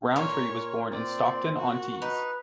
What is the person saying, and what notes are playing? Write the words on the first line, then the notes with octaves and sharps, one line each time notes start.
Rowntree was born in Stockton-on-Tees.
A#2 A#4 C#5
C4 D5
F#4
D#4 B4